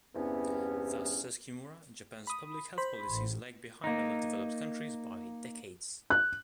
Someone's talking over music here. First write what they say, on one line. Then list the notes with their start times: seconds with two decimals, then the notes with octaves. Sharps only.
Thus, says Kimura, Japan's public health policies lag behind other developed countries, by "decades".
0.15 E2 G2 C3 E3 B3 C#4
2.27 B5 D#6
2.78 C5 B5
3.08 A1
3.84 A#3 D#4
6.10 F#6